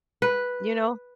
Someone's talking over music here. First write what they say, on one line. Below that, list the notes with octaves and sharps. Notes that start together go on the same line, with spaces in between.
You know?
B4